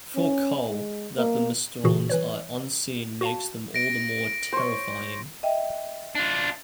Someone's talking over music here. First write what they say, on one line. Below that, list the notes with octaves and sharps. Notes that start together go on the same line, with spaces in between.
For Cull, that the Mysterons are unseen makes them all the more "terrifying".
C#4
G#3
A#3
A#2 C#3 E3 F#4 G#4
E3 B4 C#5
F#4 F5 A5
A#6 D7
C5 C#5
D#5 E5 G5
D4 F4